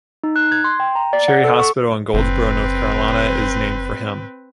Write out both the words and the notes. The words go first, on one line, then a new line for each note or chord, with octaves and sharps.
Cherry Hospital in Goldsboro, North Carolina, is named for him.
D#4
F#6
G#6
C6
G5
A#5
D5
F#5
A4
C#6
F#1 C4 B4